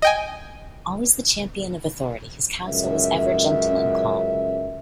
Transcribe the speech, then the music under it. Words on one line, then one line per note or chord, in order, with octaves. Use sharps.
Always the champion of authority, his counsel was ever gentle and calm.
D#5 G5 G#5
C#2 F#2 E5